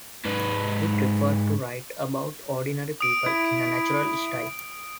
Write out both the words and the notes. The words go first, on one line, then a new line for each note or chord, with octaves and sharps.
He preferred to write about ordinary people in a natural style.
G#2 B4
D#6 D7
E4
D7